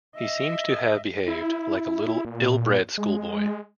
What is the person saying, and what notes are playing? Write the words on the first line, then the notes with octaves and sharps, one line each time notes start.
He seems to have behaved like a little ill-bred schoolboy.
D#5 E5
E4
A#2
G#3